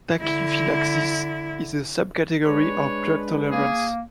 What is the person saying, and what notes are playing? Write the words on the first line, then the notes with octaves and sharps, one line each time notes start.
Tachyphylaxis is a subcategory of drug tolerance.
D3 E4
G#3 D4 B4 C#5
A#3 G#4